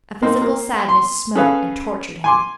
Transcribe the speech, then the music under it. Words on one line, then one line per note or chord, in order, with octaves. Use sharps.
A physical sadness smote and tortured him.
A#3 C4 D#4
A#3
C6
C#4 G#4 A4 B4 F5
G#5 C6 D6